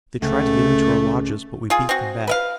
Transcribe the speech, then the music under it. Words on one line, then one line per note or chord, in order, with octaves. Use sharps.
They tried to get into our lodges, but we beat them back.
C#2 A3
F4 G#4
C4 F#4
B4 E5 F5